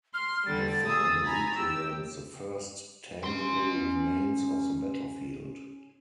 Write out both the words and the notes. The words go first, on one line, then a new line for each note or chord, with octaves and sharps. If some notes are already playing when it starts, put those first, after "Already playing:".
The find represents the first tangible remains of the battlefield.
C6 F6
D3 G3 A6
G#4 D#6 E6
G#5 A#5 B5
G4 E6
C#4 C6